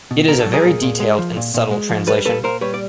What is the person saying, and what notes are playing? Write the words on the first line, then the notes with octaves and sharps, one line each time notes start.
It is a very detailed and subtle translation.
B2
B2 A#4
A4
F#3
G#4 A#4
A#2
A#2
G#3
F3
A#2
A#2
G#3
F3
G3 A4 B4
A#2 A4 B4
A#2 A#4 C5
G3 B4 C#5
D5